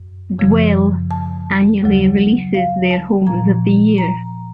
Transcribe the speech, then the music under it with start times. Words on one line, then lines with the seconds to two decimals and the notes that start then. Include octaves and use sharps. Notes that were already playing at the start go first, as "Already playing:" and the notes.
"Dwell" annually releases their homes of the year.
Already playing: F#2
0.39 F#2 C#3 F3
1.11 A5
1.82 D#2 C#3 F#3
2.54 F5
2.91 A5
3.27 A#2 F3 A#5
3.98 A#5